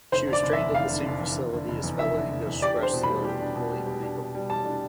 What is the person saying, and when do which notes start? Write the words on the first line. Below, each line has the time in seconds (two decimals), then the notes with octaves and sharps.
She was trained at the same facility as fellow English wrestler William Regal.
0.12 F1 C5
0.27 D3
0.33 D5
0.43 F1
0.53 E5
0.59 E2
0.75 F1 F5
0.90 D3
1.06 F1
1.21 E2
1.37 F1
1.53 D3
1.68 F1
1.84 E2
1.99 F1 E5
2.15 D3
2.31 F1
2.47 E2
2.62 G4 D5
2.77 D4
2.83 C5
2.93 B2
3.03 B5
3.09 G3
3.25 G4
3.40 D4
3.56 B2
3.72 G3
3.87 G4
4.03 D4
4.18 B2
4.35 G3
4.49 G4 A5
4.65 D4